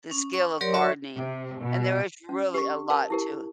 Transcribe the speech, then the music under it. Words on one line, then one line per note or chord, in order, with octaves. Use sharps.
the skill of gardening and there is really a lot to
C#4
C#6
F#3 G4 A#4 C#5 D5 C6
F#4 C#5 E5 C#6
C3
B2
C#4
G4 C#6
A#4 F5 A5
E4 G4 A#4